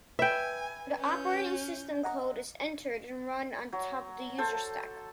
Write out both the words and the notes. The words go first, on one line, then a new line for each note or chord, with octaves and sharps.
The operating system code is entered and run on top of the user stack.
B4 E5 G5 G#5
C#4 G6
D#5 F#5 A#5
F#3
A4 C5 A5